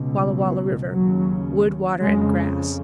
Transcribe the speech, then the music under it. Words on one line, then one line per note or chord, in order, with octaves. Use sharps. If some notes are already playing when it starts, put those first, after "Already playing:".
Wallah Wallah River.--Wood, water, and grass.
Already playing: C#2 B2
F#3
D#2 C#3 F#3
F2 C#3 G#3